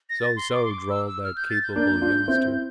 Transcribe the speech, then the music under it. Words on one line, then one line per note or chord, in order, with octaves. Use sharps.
"So, so," drawled that capable youngster.
A#6
A6
C6
D6
C6
D6
E6
E6
F6
G6
A6
G6
A#3 D4 G6
D4 F4
C4 E4